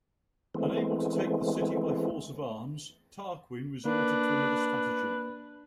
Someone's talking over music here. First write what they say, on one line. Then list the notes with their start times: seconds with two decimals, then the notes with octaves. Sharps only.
Unable to take the city by force of arms, Tarquin resorted to another stratagem.
0.54 E3 G#3 A3 B3 C4
3.85 A#3 D4 B4